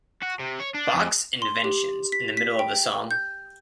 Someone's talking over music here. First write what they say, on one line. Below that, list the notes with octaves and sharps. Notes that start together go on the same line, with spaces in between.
Bach's Inventions in the middle of the song.
F#4
C3
C#5
D4
F2
C6
G4
B6
B6
G5
G6